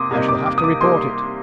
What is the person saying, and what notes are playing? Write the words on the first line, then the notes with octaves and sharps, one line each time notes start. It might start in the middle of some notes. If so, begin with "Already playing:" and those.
"I shall have to report it."
Already playing: C3 A#3 C6 D6 D#6
C3 G3 A#3 D#4
D6
D6
D#6
D6
G3 A#3 D#4 C6